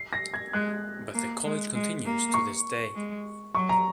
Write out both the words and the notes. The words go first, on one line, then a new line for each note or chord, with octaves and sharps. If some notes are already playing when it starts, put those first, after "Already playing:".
But the College continues to this day.
Already playing: C7
A#6
G#6
G#3 F#6
A#3
G#3
G#3
A#3
C#6
G#3
F#3 C#6
A#5